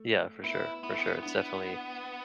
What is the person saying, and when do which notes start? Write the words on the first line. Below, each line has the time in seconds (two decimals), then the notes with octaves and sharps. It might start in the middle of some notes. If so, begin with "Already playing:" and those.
Yeah, for sure, for sure. It's definitely
Already playing: A3
0.44 B3 E4
0.83 B3 E4
0.90 A3
0.99 B3
1.23 B3 D4